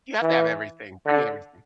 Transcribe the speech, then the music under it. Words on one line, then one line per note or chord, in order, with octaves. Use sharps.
You have to have everything, bring everything.
E3
D3